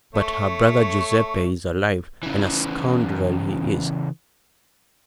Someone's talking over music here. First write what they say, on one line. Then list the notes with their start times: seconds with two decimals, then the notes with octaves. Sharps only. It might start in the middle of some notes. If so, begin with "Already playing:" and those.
But her brother Guiseppe is alive, and a scoundrel he is.
0.14 A3 C#5
2.23 C#3 E3